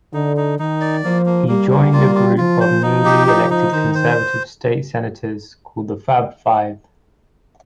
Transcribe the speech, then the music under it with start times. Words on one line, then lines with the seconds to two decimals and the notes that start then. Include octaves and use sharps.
He joined a group of newly elected conservative State Senators called the "Fab Five".
0.13 D3 D#4
0.37 D#4
0.59 D#3 D#4
0.81 D5
1.04 F3 A#3
1.26 A#3
1.48 G3 A#3
1.70 A#3
1.93 G3 F4
2.15 F4
2.37 F3 F4
2.60 C5
2.82 F3 D#4
3.05 G4
3.27 D#4
3.50 D#4
3.72 D#3 C5
3.95 C5